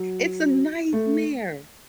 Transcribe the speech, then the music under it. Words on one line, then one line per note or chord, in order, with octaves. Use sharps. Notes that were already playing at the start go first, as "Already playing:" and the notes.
It's a nightmare.
Already playing: F#3
A3